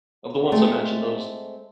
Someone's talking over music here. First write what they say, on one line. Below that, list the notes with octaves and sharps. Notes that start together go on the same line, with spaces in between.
of the ones I mentioned, those
G#3 A3 C4